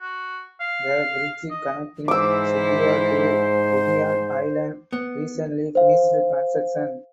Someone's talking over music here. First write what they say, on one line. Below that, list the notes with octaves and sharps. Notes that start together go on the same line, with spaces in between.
The bridge connecting Subiya to Bubiyan Island recently finished construction.
F#4
F5
D#5
G#2 E3 E4 C5 D6 E6
B3
C5 F5